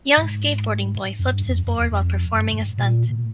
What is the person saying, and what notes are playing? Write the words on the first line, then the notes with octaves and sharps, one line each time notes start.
Young skateboarding boy flips his board while performing a stunt.
G#2
F#2
G2
F2
F#2
E2
F2
F#2
G2
G#2
A#2
A#2
A2